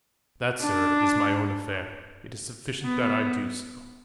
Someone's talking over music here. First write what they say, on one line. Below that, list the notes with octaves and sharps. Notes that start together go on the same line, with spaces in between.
"That, sir, is my own affair; it is sufficient that I do so."
D4
B3